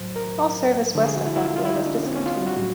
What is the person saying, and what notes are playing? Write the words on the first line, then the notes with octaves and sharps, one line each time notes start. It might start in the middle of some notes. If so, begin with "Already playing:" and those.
All service west of Buffalo was discontinued.
Already playing: A2 F#3 C5
A#4
D3 F3 G#3 A4
G#4
F#4
E4
E4
F4
F4
E4
D#4
D4
C#4
C4
C#4
F4
F#4
F#4
A2 F#3